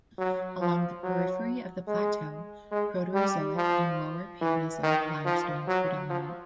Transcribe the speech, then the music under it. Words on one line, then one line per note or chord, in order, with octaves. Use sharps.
Along the periphery of the plateau Proterozoic and Lower Paleozoic limestones predominate.
F#3
F3
F#3
G#3
G#3
G3
F3
E3
D#3
F3
F#3
F3